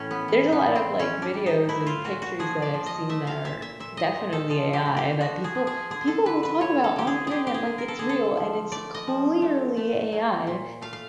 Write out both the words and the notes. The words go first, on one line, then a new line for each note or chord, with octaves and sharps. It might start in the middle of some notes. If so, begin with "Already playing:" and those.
there's a lot of, like, videos and pictures that I've seen that are definitely AI that people people will talk about on the internet like it's real and it's clearly AI.
Already playing: A2 E3 C#4
B3
E3
B3
A2
C4
E3 C#4
D4
G3
D#4
A3 E4
F4
A#2 F#4
F#4
F3 G#4
D5
F3
D#5
A3 E5
F5
A#2 E5
E5
A#2 E5
D#5
A#2
A4
F3 A4
G4
A3
G4
F3 F#4
G#4
F3
G#4
D3 G#4
A4
D3 B4
B4
D3 C#5
A4
D3 G4
G#4
D3 G4 G#4
G4
G#4
D3
A#4
A4
D3 G#4
A4
F3
A3 D5
D#5
F3
A3
A3
F#3
A#2
A3 F5
F5